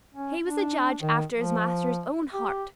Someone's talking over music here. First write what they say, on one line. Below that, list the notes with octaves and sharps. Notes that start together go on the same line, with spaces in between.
He was a judge after his master's own heart.
C#4
D4
D#3
F3
G4